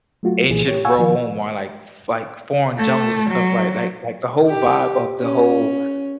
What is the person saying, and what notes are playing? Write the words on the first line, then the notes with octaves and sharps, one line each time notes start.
ancient Rome or, like, f like, foreign jungles and stuff like that, like the whole vibe of the whole
F#3 A3 F4 F#4
C2 A#2 E3 G#4
G4 C#5
F5 F#5 G#5 C#6 E6
D#3 F3
A3
F#3
G4
C#4